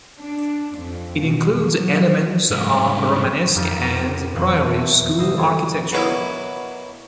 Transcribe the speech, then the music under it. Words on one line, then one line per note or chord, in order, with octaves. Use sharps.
It includes elements of Romanesque and Prairie School architecture.
D4
F2
B2
F#3
C2 G#2
F2 D#4 G4 A#4 A6
C4
E1 F2 B4 C5 G#5 C6
E5 G#5 A5 F#6 B6
F#1 E4 C5 D#6 A#6 E7
E3 G3 C4 G4 A4 C#5
B2 F#3 A#3 E4